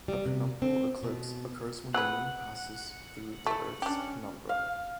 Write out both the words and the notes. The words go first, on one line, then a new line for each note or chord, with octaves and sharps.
A penumbral eclipse occurs when the moon passes through the Earth's penumbra.
G3
C3
C4
B2
C4 G#4 B4 F#5
A3 E4
C#4 D4 G4
F5